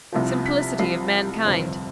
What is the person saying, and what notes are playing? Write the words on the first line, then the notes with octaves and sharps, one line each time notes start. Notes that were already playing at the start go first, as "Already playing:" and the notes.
Simplicity of mankind!
C2 C3 F3
B6
C2 C3 F3 C7
G1 F2 C3